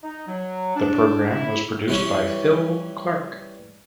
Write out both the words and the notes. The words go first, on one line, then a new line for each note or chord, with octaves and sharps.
The programme was produced by Phil Clark.
D#4
F#3
D4
E4
E3 G3 C#4